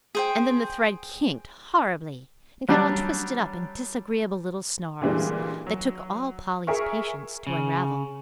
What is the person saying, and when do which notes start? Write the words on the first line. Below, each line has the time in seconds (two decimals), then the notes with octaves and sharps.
And then the thread kinked horribly, and got all twisted up in disagreeable little snarls that took all Polly's patience to unravel.
0.15 G#4 C5 G5
2.69 F#3 G3 D4
5.01 A#2 D3 E3 G3 G#3
5.67 F#3
6.67 G#4 A#4 E5 C#6
7.47 C#3